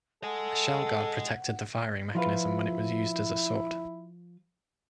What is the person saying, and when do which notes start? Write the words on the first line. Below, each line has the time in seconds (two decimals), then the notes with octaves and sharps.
A shell guard protected the firing mechanism when it was used as a sword.
0.23 A4 D#5 F#5 G#5
2.15 F3 E4 F4 B4